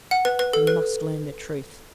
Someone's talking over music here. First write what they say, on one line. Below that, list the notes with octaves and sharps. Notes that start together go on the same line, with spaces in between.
He must learn the truth.
F#5
B4
B4
A4
B4